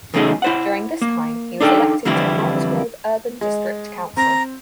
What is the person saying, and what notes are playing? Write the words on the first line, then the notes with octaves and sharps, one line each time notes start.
During this time he was elected to Bromsgrove Urban District Council.
E2 C#3 F#3 A3 D#4 G#4
E4 C5 F#5
A#3
D4 D#4 A4 F5 G5
F2 D3 E3 G3 C4 E4
G#3
C4 A#5